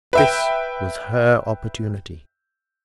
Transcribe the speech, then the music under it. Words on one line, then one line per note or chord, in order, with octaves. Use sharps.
This was her opportunity.
B4 E5 G5